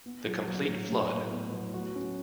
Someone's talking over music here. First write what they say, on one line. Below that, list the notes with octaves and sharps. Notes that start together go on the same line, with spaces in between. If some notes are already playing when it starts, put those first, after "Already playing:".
The complete Flood!
B3
F#3
F#3
A2
A2
A2
B3
F#3
F#4
C#4